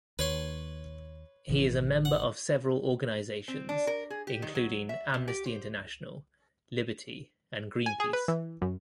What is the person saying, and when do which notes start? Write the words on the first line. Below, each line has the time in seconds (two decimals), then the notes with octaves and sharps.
He is a member of several organisations including Amnesty International, Liberty and Greenpeace.
0.19 D#2 B4 C#5 C6
1.49 A1 D#3 E3
2.05 F#5
3.48 C4
3.69 D4
3.87 A#4
4.10 G#4
4.27 G4
4.42 D#3
4.55 F#3
4.89 E5
5.14 C3
5.28 G4
5.46 C5
7.86 G#5
8.00 G#4
8.13 B4
8.28 E3
8.62 F#2